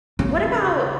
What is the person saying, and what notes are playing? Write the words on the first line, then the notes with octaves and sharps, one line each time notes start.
what about
C#3